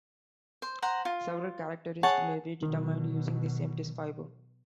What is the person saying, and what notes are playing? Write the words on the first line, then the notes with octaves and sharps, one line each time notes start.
Several characteristics may be determined using the same test fiber.
C5
C5 F#5 A#5
F4
G#4 C#5 F#5 A5
B2 D#3 F#3